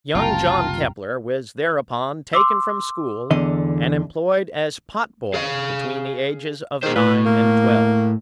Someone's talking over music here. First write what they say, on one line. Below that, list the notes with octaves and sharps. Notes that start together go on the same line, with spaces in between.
Young John Kepler was thereupon taken from school, and employed as pot-boy between the ages of nine and twelve.
F#1 C2 F4 G5 A5 A#5
C6 D6 E6
E2 D3 D#5
G#4 F5
D#3 G#4 C5
A2 B4
A#3